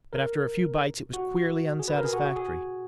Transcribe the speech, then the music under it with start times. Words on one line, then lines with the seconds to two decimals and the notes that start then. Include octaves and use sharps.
But after a few bites, it was queerly unsatisfactory.
0.13 A#4
1.14 F#4
1.79 G#4
1.88 B4
1.97 A#4
2.05 G#4
2.13 F#4
2.24 G#4
2.36 G#4